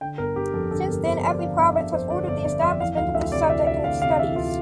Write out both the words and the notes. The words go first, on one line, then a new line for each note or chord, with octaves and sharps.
Since then, every province has ordered the establishment of this subject in its studies.
D3 G5
G1 A#4
G1 G4
F2 A4
D3 A4
G1 A#4
G1 C5
F2 D5
D3 F5
G1 F5
G1 E5
F2 C5
D3 D5
G1 D5
G1 D5
F2 E5
E3 F5
D2 F5
D2 E5
C3 D5
E3 E5
D2 E5
D2 F5
C3 F5
E3 E5
D2 F4